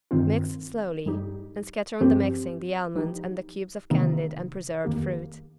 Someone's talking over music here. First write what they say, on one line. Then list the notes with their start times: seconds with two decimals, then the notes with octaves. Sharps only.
Mix slowly and scatter on the mixing the almonds and the cubes of candied and preserved fruit.
0.11 G2 D#3 C4 F4
1.06 G2 G3 D#4 G4
2.01 G2 F3 C4 G4
2.95 F3 D#4 G4
3.90 C3 D#3 A#3 D#4
4.85 F2 D#3 A#3 G4